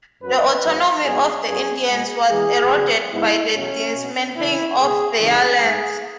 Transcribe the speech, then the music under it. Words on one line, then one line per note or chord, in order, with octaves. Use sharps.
The autonomy of the Indians was eroded by the dismantling of their lands.
F#2 F#3 B3 B4
G#2 F#3 B3
G#2 F#3 B3 G#4
F#2 F#3 B3 G#4
B2 G#3 B3 G#4
E2 E3 G#3 B3 G#4
E2 C#3 F#3 B3
G#2 G#3 B3 E4
E2 B2 F#3 C#4
B2 B3
C#2 C#3 E3 E4
C#2 B2 B3 G#4
F#2 C#3 E3 G#3 B3 G#4
G#2 G#3 B3